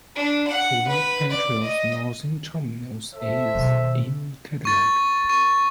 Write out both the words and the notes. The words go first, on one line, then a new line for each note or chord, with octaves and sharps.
The White Pine Trail's northern terminus is in Cadillac.
D4
F#5
B4
D5
D#5
A4 C5 E5
B2 D#3
C#6 A6
C#6